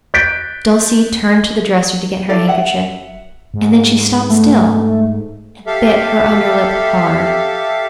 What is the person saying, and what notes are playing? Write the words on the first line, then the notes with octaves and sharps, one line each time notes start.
Dulcie turned to the dresser to get her handkerchief; and then she stopped still, and bit her underlip hard.
F#6 G6 A6 B6 D7
E4 A4 D5 F5
E5 F#5
G#2
A3
G4 A4 E5 F5